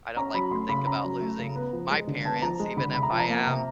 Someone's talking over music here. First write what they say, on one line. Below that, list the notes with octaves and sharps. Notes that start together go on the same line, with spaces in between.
I don't like to think about losing my parents even if I am
C#4 A#5
F#3 B5
A3 C6
C#3 B5
C#4 A#5
F#3
A3
C#3
B3
F3
G#3
D3
B3 A5
F3 A#5
G#3
D3 B5
C3 B5
A#5
F3 A5
A#5
A#3
C3